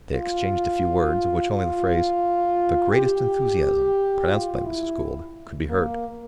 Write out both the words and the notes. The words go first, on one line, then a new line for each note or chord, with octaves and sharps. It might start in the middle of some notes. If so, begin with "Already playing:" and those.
They exchanged a few words, of which only the phrase, "The greatest enthusiasm," pronounced by Mrs. Gould, could be heard.
F4
F4
G4
F4
E4
A#3